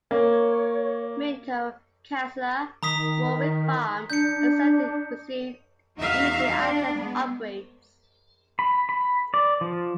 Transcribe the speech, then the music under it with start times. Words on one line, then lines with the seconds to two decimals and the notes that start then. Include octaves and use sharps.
Minto, Casula, Warwick Farm and Sefton received Easy Access upgrades.
0.11 A#3 C#5
2.83 D#3 A#5 D#6 B6
4.10 D4 G6 C#7
5.97 E2 D#4 F#4 E5 F5
6.57 D4
6.97 G#3 B3
8.59 B5
8.89 B5
9.34 D5
9.61 F3